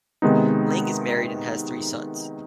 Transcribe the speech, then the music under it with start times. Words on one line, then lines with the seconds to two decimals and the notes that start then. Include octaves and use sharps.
Ling is married and has three sons.
0.22 C3 D#3 G#3 B3 D#4